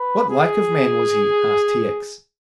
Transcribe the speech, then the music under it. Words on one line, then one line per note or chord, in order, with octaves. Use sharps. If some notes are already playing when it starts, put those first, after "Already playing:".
"What like of man was he?" asked T. X.
Already playing: B4
G#4